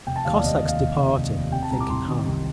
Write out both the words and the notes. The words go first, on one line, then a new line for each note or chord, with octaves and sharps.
The Cossacks departed, thinking hard.
F1 G5
A5
D#2 F5
D5
F1 D#5
D#5
D#2
F5
F1
F1
F1
D#2
C3 G5
A5
C2 A#5
D6
C2 C6
D#3
C2